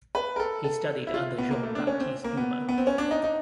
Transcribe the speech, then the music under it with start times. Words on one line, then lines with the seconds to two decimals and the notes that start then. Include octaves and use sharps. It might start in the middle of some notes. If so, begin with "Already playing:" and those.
He studied under Jean-Baptiste Dumas.
0.15 B4
0.36 A#4
0.39 A4
0.64 A4
1.07 E4
1.14 F4
1.38 B3
1.51 A#3
1.63 A3
1.75 D4
1.87 C#4
2.00 C4
2.24 A#3
2.37 B3
2.69 B3
2.78 C4
2.87 C#4
2.98 D4
3.11 D#4
3.24 D#4